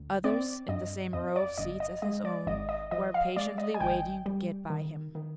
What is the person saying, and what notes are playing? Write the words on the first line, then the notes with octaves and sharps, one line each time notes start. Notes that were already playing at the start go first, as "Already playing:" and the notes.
Others, in the same row of seats as his own, were impatiently waiting to get by him.
Already playing: D2
C4 D5
G2 D#5
F2 D#5
D5
G1 D#5
D#5
G#3 D#5
D5
G#1 D#5
D#5
F3 D#5
F5
G#3 D5
D#5
G#5
G#1 G5
G3
D#3
D#3